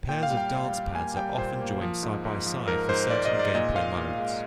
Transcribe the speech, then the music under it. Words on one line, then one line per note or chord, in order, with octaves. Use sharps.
Pairs of dance pads are often joined side-by-side for certain gameplay modes.
A#2 G5
F5
G3
G5
G3
G3
A#3 G#5
G3 G5
A#2 C5
A#3
F3
G#2
G#2
F3
G#2 A#4
G#2 C5
G#2 D5
D#5
G#2
D5
A#2 D#5
A#2 F5
A#2
G#3